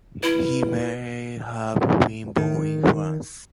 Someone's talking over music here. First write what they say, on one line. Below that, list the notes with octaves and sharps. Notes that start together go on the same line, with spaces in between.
He may have been born in France.
E4 B4
D#3